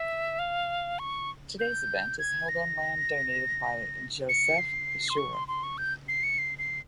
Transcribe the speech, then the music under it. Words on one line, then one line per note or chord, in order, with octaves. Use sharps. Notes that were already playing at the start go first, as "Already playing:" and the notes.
Today's event is held on land donated by Josef Pschorr.
Already playing: E5
F5
C#6
G6
G#6
A#6
C#7
C7
C6
C#6
C6
C6
C#6
G6
C7
C#7
C7
C7